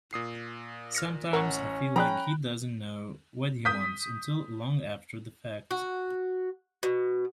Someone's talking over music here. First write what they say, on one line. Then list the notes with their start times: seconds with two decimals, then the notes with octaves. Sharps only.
Sometimes I feel like he doesn’t know what he wants until long after the fact.
0.13 A#2 D#6 C7
0.95 F6 A#6 C#7
1.33 A1 C#4 A#4 F#5 A#5 C#6
1.96 F3 G#4 G5 A#5 B5 F#6
3.65 D#6 G6 B6
5.71 F#4
6.83 B2